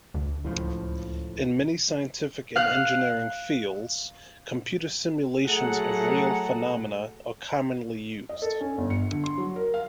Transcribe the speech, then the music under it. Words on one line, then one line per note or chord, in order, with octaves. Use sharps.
In many scientific and engineering fields, computer simulations of real phenomena are commonly used.
D2
C#2 A2 F3
F5 F#6
F#3 A3 G#4 A4 F#5 A#5
D#5
A4
C#4
G1
C#7
D3
C6
F#3
A#4
F5